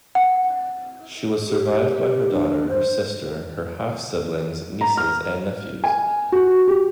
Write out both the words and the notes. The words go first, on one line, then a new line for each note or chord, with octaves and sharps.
She was survived by her daughter, her sister, her half-siblings, nieces and nephews.
F#5
G4
D4
C5
A#5
F6
G#5
F#4
G4